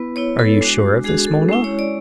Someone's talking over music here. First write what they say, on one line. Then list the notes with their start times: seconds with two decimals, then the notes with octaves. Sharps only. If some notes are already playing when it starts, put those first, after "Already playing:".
"Are you sure of this, Mona?"
Already playing: B3 E4 B4
0.16 B3 E4 C#5
0.39 A4
0.61 G#3 D4 F#4
1.04 G#3 D4 F#4 G#4
1.27 A4
1.49 G#3 C#4 E4
1.64 C#5
1.79 D5